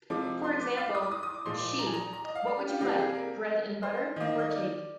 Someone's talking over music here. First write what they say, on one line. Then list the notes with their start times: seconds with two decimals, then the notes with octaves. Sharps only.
For example: She: 'What would you like-bread and butter, or cake?
0.10 C3 F3 G#3 D6
0.44 C6
0.61 D6
0.78 F5
0.86 D6
0.95 D#6
1.03 D6
1.11 D#6
1.23 D#6
1.34 D6
1.45 A#2 F3 G#3 C6
1.57 D6
1.68 D6
1.79 A#5
1.86 G#5
1.93 A#5
2.13 A#5
2.24 D#5
2.35 F5
2.47 D5
2.58 G4
2.69 F4
2.81 C3 G3 A#3 G4
2.98 G#4
3.15 A#4
3.83 C5
4.16 D#3 D#5
4.20 A#3
4.28 D#5
4.39 D#5
4.50 D5